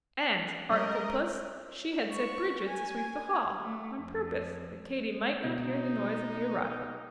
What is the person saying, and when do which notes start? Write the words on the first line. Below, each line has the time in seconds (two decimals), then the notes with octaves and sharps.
And, artful puss! she had set Bridget to sweep the hall, on purpose that Katy might not hear the noise of the arrival.
0.69 G3 G#3 C#4 A#4 D#5
2.10 C#6
2.65 G#5
3.63 A3
3.98 F2
5.44 B2 D#4